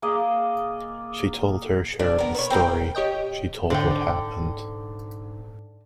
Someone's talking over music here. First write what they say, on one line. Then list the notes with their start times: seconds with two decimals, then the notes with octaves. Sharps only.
She told her share of the story — she told what happened.
0.02 A#3 G#4 D5 D#5
1.99 D4
2.19 B3 A#4
2.35 B4 C#5
2.50 C4 A#4 F5 G5
2.95 G4 C#5 D#5 G5
3.70 G#2 D3 C4 G5